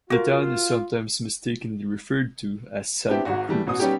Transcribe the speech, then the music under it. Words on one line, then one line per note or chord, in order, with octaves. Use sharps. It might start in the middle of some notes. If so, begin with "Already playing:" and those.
The town is sometimes mistakenly referred to as Santa Cruz.
F4 F#4 A#4
B3 C4 D4 E4 G4
G#1 G#2 F#4
E3 G3 A3
A1 B2 D#6
G3 B3 C#4 D#4 G4